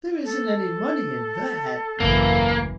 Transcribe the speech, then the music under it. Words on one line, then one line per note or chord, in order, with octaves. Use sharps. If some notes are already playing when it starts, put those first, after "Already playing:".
"There isn't any money in that."
A4
D#1 G#1 F#2 C#3 E3 A#3